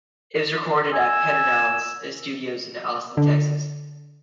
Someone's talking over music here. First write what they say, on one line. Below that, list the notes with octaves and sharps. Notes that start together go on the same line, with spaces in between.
It was recorded at Pedernales Studios in Austin, Texas.
G#5 E6
D3